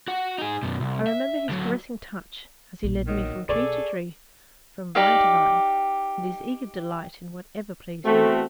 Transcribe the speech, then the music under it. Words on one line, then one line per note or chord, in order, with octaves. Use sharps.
I remember his caressing touch as he led me from tree to tree, from vine to vine, and his eager delight in whatever pleased me.
F#4 F#5
D#4 G#4
F#2 B2
C2
E5
D3 F#3
A#1 B2
D#3 F#3 D#5
B1 B2 G#4 A4 D5 C#6
D#4 G4 D5 F5
E2 A3 C4 F#4